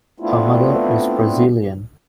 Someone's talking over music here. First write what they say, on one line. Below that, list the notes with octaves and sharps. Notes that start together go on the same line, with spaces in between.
Her mother is Brazilian.
A3 B3 C4 D4 E4 F4